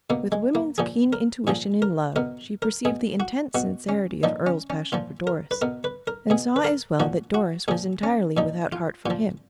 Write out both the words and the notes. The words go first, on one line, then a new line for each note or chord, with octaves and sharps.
With woman's keen intuition in love, she perceived the intense sincerity of Earle's passion for Doris, and saw as well that Doris was entirely without heart for him.
B2 A#3
G#3
A#3
A#2 F3 G#4
A#4
A#2 F3 G#4
A#4
B2 A#4
A#4
B2 G#4
F#4
B2 F#4
C#4
A#2 F3 D#4
C#4
C#4
A#2 F3 F4
A#4
B4
B2 A#4
B4
A#4
B2 G#4
B4
A#4
A#2 F3 F#4
F#4
A#2 F3 G#4
C#4
A#2 F3 D#4
F4
A#2 F3 F4